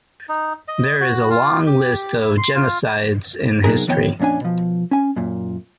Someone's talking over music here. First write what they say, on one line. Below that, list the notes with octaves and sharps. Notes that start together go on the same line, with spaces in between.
There is a long list of genocides in history.
D#4
D#5
F#4
F4
G4
E4
C6
F4
C3 F#3 B3 D#4 G#4 A#4
D2 D#3 F3 B3 C#5 G5
F2 A#2 C#4 D4 G#5
B2 F3
C#4 G#5
F#2 A#2